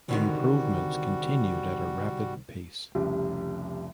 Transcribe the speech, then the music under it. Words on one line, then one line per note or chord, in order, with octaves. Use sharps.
Improvements continued at a rapid pace.
C2 D3 D#3 G3 F#4
F1 C2 C#3 G4